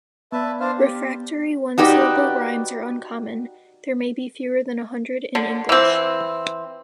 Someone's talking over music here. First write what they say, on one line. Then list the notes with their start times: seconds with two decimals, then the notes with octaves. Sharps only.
Refractory one-syllable rhymes are uncommon; there may be fewer than a hundred in English.
0.32 B3 B4 D5 E5 A5
0.60 D4 C5 F5
0.78 G4
1.78 D#4 F#4 G4 B4 D5
5.35 D3
5.69 E3 C4